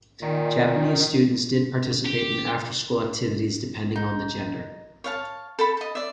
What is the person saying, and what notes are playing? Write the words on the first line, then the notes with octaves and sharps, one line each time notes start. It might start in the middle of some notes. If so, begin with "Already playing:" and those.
Japanese students did participate in after-school activities depending on the gender.
A#2 D#3
G4
D#4
C#5 F5 A5
A4 A5 B5
A4 D#5
D5 E5